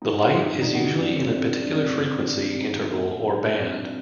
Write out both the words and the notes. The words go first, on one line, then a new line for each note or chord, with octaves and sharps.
The light is usually in a particular frequency interval or band.
G2 D#4
D#4
D#3 G3 D4
D#4
G2 D4
D#4
D#3 G3 F#4
F#4
F#2 D4
C4
D#3 G3 D4
C4
F#2 D4
D4
D#3 G3 D4
D4
G2 C4
D#3 G3 D4
G2 D4
D#4
D#3 G3
D#4
A#2 G4
A4
F#3 F#4
D4
D#4
A#2 D4
C4
F#3
D4